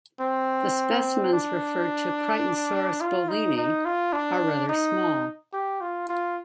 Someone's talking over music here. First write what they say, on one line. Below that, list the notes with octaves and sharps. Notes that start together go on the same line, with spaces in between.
The specimens referred to "Crichtonsaurus bohlini" are rather small.
C4
D4
F4
D#4
D#4
F4
D4
D#4
G4
F4
F4